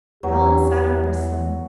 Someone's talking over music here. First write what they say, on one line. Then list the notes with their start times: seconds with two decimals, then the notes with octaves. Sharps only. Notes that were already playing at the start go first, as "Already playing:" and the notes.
Ellen sat up bristling.
0.23 E2 E3 F#3 G4